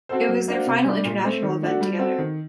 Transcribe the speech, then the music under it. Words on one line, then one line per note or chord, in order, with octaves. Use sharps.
It was their final international event together.
C4 F#4 A4 C5
F#3
A#3 D4 F#4 C5
C3
G3 D4
A#2
A3 C4
D#3
A3 D4 F#4
G3
C4 F#4 A4
D#3